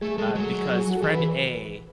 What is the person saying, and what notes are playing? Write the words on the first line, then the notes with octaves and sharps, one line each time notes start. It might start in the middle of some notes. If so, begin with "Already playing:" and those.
uh, because friend A
A3 G#4
G#3 A4
F#3 G#4
F#4
G#4
F#4
A4
E3 G#4
B4